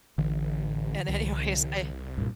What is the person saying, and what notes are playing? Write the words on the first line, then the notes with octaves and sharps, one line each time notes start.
and anyways, I
A1 D3 E3
C2
G2 A#2